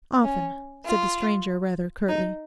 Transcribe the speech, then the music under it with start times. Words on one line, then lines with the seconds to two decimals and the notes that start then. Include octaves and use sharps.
'Often,' said the stranger rather curtly.
0.24 C#4
0.85 F4
2.09 D#4